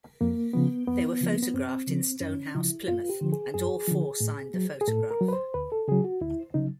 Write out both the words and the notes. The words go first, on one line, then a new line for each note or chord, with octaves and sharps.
They were photographed in Stonehouse, Plymouth, and all four signed the photograph.
F2 A#3
C#3 F3 B3
F2 B3
C#3 F3
A#3
B3
F#2 C4
C#3 F3
F#2 C#4
C#3 F3 E4
F#2 F4
G4
D3 F3
G#4
F#2 G#4
D3 F3
A2
F#3
G#4
A2 A4
A#4
F#3
B4
C5
D2 B4
A4
C#3 F#3 G#4
F#4
D2 E4
C#3 F#3 D#4